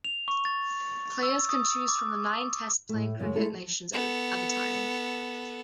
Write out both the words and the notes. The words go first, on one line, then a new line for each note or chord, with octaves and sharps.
Players can choose from the nine Test playing cricket nations at the time.
F7
C#6
A6
E6
D#6
D6
A2 A3
F#2 C#3 G#3 A3
G#3 A3 E4 A4
F3
B3 A4